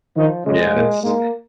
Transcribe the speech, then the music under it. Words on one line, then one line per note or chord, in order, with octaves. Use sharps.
Yeah, it's
D#3 F3 D#4
C#3 G#3 C#4
A#2 A#3
G#2 G#3 A#3